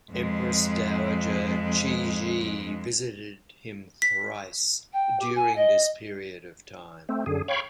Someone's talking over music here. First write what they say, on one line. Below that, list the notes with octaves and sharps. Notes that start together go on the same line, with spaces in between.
Empress Dowager Cixi visited him thrice during this period of time.
F2 G#3
B6
G5
G4
G#5
D#5
A3 C4
F#2 D3 G#4
C#5 F5 G5 B5 C#6